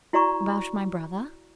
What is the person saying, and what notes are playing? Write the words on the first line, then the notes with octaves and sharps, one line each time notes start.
"About my brother?"
E4 F#4 D5 A#5 C#6